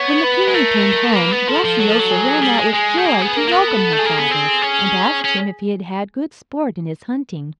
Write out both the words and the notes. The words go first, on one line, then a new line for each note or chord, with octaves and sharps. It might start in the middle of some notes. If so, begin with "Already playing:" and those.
When the king returned home, Graciosa ran out with joy to welcome her father, and asked him if he had had good sport in his hunting.
Already playing: B3 C#5
B4
G#3
A3 A#4
B3
A#3 B4
B3
F3 A4
F3
F#3
F3
F#3
G#4
G3
G#3
G#3 G#4
A3
A#3
B3
A#3 A#4
A#3
B3
A4
A3
G#4
A#3
B3
C4
C#4
C#4